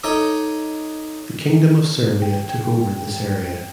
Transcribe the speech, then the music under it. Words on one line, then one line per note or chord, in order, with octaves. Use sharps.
The Kingdom of Serbia took over this area.
D#4 A4 C#5 D#5 D6 D#6
G5